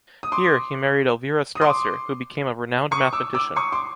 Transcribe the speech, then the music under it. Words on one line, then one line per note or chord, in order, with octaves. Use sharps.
Here, he married Elvira Strasser, who became a renowned mathematician.
D#6
C6 D6
D#6
C6 D6
C#6 D#6
D6 E6
D6 E6
C#6 D#6
C6 D6